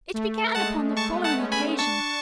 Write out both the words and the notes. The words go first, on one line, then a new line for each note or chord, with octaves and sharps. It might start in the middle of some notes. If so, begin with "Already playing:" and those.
It began upon the following occasion.
A3
G#3 F#5 A5
A3 A5 C#6
B3
A3 F#5 A5
C#4
G#5 B5
D4 A5 C#6